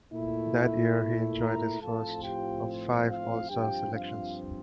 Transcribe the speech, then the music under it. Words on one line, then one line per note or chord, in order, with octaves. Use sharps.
That year he enjoyed his first of five All-Star selections.
A#2 A3 E4
A#4 A#5
A2 F3 C4 F4 A4 A5
G4 G5
F4 F5
G2 F3 C4 F4 G4 G5
F4 F5